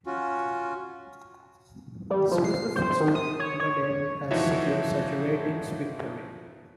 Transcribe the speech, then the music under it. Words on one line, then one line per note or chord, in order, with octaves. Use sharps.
This was the first time "Emmerdale" has secured such a ratings victory.
C#4 F4 F#4
G3
F3
C7
C5
D#3
D#6
C#5
C#5
E3 F3 D#4 F#4 C#5 E5